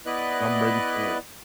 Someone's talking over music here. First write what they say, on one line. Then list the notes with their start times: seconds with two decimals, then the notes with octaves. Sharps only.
I'm ready for it.
0.06 B3 E4 B4 D5 D#5 F#6